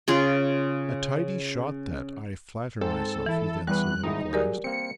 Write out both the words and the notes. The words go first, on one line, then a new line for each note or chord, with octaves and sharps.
'A tidy shot that, I flatter myself,' he then soliloquised.
C#3 F4 G#4
G#2 C4 A4
G#1 E3 E4
E2 E3 G3 B4 F#6
G#1 D#4 E4
F#3 G4 G#4 A#4 D5
A#3 C4 C#7